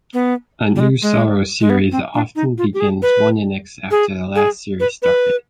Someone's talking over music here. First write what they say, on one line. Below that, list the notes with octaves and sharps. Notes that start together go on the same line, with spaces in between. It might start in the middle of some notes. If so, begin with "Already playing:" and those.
A new saros series often begins one inex after the last series started.
B3
G3
G#3
G#3
G#3
B3
C4
D4
D#4
F4
G4
G#4
B4
G#4
G#4
B4
B4